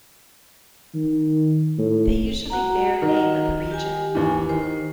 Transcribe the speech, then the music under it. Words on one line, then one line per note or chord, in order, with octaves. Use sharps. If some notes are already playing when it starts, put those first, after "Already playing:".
They usually bear name of the region.
D#3
A2
F#4 F#5 A#5
D#3 D#5
G4 G#5
D#2 E3
D#3 C5